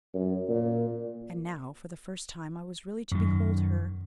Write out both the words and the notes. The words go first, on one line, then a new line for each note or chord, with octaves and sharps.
And now, for the first time, I was really to behold her....
F#2
A#2
F#2 D#3